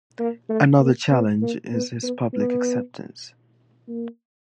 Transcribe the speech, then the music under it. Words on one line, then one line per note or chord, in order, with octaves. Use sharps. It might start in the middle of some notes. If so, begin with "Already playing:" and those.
Another challenge is his public acceptance.
A#3
A3
A#3
B3
A#3
B3
B3
B3
A#3